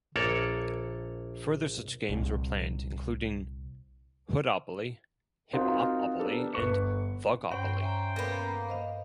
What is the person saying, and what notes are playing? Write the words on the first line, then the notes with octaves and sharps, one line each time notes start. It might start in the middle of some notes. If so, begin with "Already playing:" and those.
Further such games were planned, including "Hoodopoly", "Hiphopopoly", and "Thugopoly".
A#1 A#3 A4 C#5 D5
C2 A#2
C4 D#4 F4 F#4 A#4
B3 D4 G4 A4 A#4
G1 B4 C#6 C#7
G2 C#4 C5 F#5 G5 C#6
E5 G#5 A#5
A#3 B3 A4
C5 D#5 F5